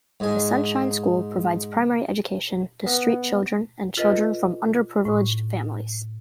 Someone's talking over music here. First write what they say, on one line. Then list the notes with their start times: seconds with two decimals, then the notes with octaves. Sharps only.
The Sunshine School provides primary education to street children and children from underprivileged families.
0.20 G#2 G#5
2.86 B3
3.97 F4 A4 B4 D#5
5.05 A2